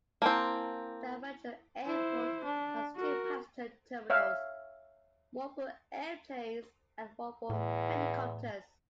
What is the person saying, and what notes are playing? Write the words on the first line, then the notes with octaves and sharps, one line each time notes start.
Stavanger Airport has two passenger terminals, one for airplanes and one for helicopters.
A#3 C4 E4 G#5 A5
E4 C5
D4
F#4 A#4
C#5 E5 F5
E2 A2